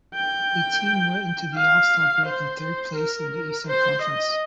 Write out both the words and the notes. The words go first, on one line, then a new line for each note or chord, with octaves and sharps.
The team went into the All-Star break in third place in the Eastern Conference.
G5
F5
C5
C5
A#4
C5
D#5